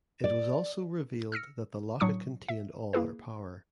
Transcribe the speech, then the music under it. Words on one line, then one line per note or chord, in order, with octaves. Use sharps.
It was also revealed that the locket contained all her power.
D5
E6 F6 A#6 C#7
A2 F#3 D4 C#6 D#6 C#7
E5
A#3 E4 G#4 B4